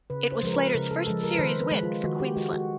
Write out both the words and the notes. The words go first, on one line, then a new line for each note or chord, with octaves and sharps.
It was Slater's first series win for Queensland.
C#3 B4
C5
F3 G#3 A#4
B4
C#3 A#4
A4
F3 G#3 A4
A#4
B4
D#3 C5
B4
G#3
F4
D#3 F#4
G4
G#3 F#4
F#4